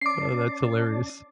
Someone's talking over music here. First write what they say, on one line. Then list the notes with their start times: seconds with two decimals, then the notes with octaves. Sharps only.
Oh, that's hilarious.
0.01 C#4 D5 A5 D6 C7